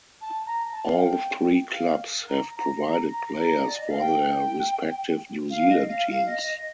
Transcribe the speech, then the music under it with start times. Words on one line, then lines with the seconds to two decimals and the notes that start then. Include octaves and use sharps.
All three clubs have provided players for their respective New Zealand teams.
0.21 A5
0.46 A#5
0.72 A5
0.86 F5
0.97 G5
1.73 F5
2.29 A#5
2.56 A#5
2.84 A#5
3.11 A#5
3.39 A#5
3.67 D5
3.78 D#5
3.89 F5
3.99 G5
5.51 F5
5.70 D#5
5.88 F5
6.07 F5
6.26 D#5
6.45 D#5